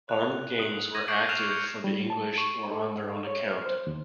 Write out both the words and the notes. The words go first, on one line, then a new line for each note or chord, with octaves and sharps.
Armed gangs were active for the English or on their own account.
F#6 F7
D#6 F#7
D#6 G#6 A#6 D#7
C#6 D6 G6 C7 D7 F#7
F6 F#6 A6 A#6 E7 F7
G6 G#6 C#7
G3
A5
C#6
A4
C#5
F6
C5
D#2